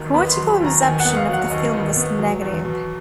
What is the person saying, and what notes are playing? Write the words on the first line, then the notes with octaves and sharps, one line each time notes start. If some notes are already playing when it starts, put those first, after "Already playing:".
Critical reception of the film was negative.
Already playing: D#2 D#3 F#3
B3 B5
C6
F#3
B5
D#2
A#5
D#3 G#5
B3 F#5
F5
F#3 F#5
D#2 D#5
D#3
B3
F#3
E2
B2